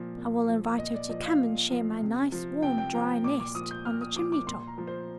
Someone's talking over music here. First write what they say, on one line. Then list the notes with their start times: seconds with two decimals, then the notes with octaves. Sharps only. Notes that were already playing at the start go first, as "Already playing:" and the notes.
I will invite her to come and share my nice, warm, dry nest on the chimney-top.
Already playing: A#2 F3
0.18 A#2
0.48 F3
0.78 A#2 D#5
0.94 D5
1.09 F3 D#5
1.25 F5
1.41 A#2
1.71 F3
2.02 C3
2.32 F3
2.63 C3 G5
2.78 G5
2.93 F3 A#5
3.24 A#2 D6
3.40 D6
3.55 F3 D#6
3.71 G6
3.85 A#2 F6
4.01 D#6
4.16 F3 D6
4.32 D6
4.47 A#2 C6
4.68 A#5
4.78 F3
4.87 C5